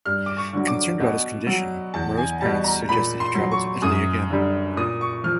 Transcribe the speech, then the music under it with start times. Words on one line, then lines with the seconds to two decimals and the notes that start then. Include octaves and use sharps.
Concerned about his condition, Moreau's parents suggested he travel to Italy again.
0.05 G2 F6
0.26 D6
0.37 C#6
0.53 D3 F#3
0.68 D6
1.00 B2
1.47 F#3
1.94 E2 A5
2.17 G#5
2.41 B2 G3 A5
2.64 A#5
2.89 A#2 B5
3.20 C6
3.35 F#3
3.51 C#6
3.82 F#2 D#6
4.30 D3 G3
4.77 A#2 D#6
5.01 C#6
5.24 F3 F6